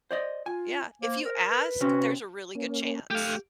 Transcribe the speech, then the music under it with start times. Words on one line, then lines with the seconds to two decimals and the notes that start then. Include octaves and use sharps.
Yeah. If you ask, there's a really good chance.
0.11 C5 D5 D#5
0.46 F4 G#5
1.02 A#3 C5
1.25 A#4
1.48 B4
1.81 C3 C4 C#4 F#4
2.55 A#3 C#4
3.11 A3 G4 F5